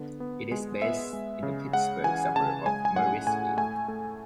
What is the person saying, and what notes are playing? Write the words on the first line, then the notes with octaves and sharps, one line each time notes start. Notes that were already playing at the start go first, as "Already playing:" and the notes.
It is based in the Pittsburgh suburb of Murrysville.
Already playing: D3 B3
B3
G#3
B3 E5
G#3
C#3
G#3 F#5
E3 G#5
C#3 A5
G#3 G#5
G#5
A2 F#5
A2 G#5
A3 G#5
A3